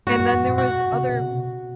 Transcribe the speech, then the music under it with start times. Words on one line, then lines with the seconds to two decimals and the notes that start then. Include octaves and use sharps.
and then there was other
0.07 G#2 F#4
0.20 G2
0.33 F2
0.45 A#2
0.58 B2 F#4
0.92 C#3
1.01 C3
1.09 B2